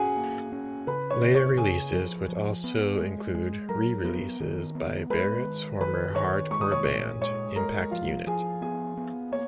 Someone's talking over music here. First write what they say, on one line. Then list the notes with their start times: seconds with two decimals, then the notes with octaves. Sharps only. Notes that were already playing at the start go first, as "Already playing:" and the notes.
Later releases would also include re-releases by Barrett's former hardcore band, Impact Unit.
Already playing: C#4 F#4 G#4 F#5 G#5
0.17 A#3
0.52 C#4
0.87 C#3 B4 B5
1.10 C#5 C#6
1.23 C#3
1.34 C#5 C#6
1.57 C#3 G#4 G#5
1.93 F3
2.28 F3
2.64 B3
2.98 G#3
3.35 G#3
3.69 F#3 A#4 A#5
4.05 B3
4.40 D#3
4.75 B3
5.10 G#3 B4 B5
5.45 D#3
5.80 D#3 B4 B5
6.15 D#3 C#5 C#6
6.51 G#3 C#6
6.61 D#6
6.72 C#5 C#6
6.86 A#2
7.21 G#3 C#5 C#6
7.56 G#3 A#4 A#5
7.91 F3 F4 F5
8.27 F3 G#4 G#5
8.62 B3 G#4 G#5
8.97 B3
9.32 A#3 C#5